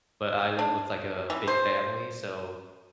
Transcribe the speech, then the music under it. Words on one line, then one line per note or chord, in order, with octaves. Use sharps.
but I live with, like, a big family, so,
D4
E3
C5